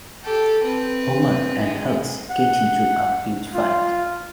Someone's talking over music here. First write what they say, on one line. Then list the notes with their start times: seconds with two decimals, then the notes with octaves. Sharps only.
Homer and Hugs get into a huge fight.
0.24 G4 A4
0.63 C4 B4
1.61 G#3
2.31 F#5
3.54 F4